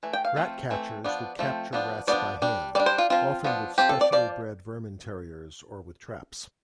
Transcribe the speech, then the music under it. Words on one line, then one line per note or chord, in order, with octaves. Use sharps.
Rat-catchers would capture rats by hand, often with specially-bred vermin terriers, or with traps.
E3 A3
G5
F5
F3 A3 C4
E3 A3 C4
F3 B3 D4
F3 A3 C4
F3 B3 D4
F3 B3 D4 D5
G3 D4
G3 D4 D5
C5
F4
F3 C4 F4
F3 B3 D4
F3 C4 G4
A4
D5
F3 D5